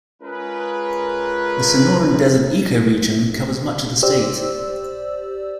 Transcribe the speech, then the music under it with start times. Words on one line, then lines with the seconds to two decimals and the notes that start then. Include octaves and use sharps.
The Sonoran Desert ecoregion covers much of the state.
0.23 G#3 C#4 F4 G#4 A#4 B4
4.03 G4 C5 D5 E6